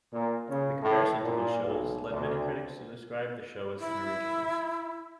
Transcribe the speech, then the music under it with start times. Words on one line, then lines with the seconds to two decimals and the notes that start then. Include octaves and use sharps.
The comparison to these shows led many critics to describe the show as unoriginal.
0.12 A#2
0.48 C#3
0.81 A2
1.22 A#2
1.64 B1
2.10 D2
3.79 E4